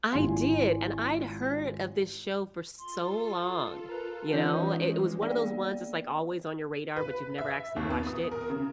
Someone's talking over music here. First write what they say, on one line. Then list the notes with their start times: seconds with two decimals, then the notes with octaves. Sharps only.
I did, and I'd heard of this show for so long, you know? I it was one of those ones, that's, like, always on your radar, but you've never actually watched it,
0.12 G#1 E4 F4 G4 G#5 C6
2.78 F4 A4 C6
3.89 A#4 B4 A#5
4.33 E3 G#3 C#4 D#4 F4 G4 G6
5.22 A#3 B3 G#4 D5 G5
6.96 B4
7.38 E5
7.76 D#2
7.90 B3
8.07 D#6
8.31 A#4
8.50 C#3